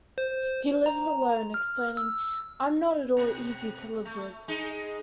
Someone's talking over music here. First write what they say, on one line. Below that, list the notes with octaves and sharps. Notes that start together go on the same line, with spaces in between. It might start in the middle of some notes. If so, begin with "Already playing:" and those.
He lives alone, explaining: I'm not at all easy to live with.
C5
A#5
F6
E6
B2
A3
G#3 D#4